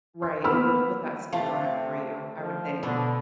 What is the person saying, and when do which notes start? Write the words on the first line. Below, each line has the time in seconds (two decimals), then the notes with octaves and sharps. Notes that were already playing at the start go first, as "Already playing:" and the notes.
Right, it would put that spin on it for you, I would think.
0.22 C6
0.44 A#3 B3 B5 E6 F6
1.33 C3 A3 F4
2.39 F3
2.83 B2 D3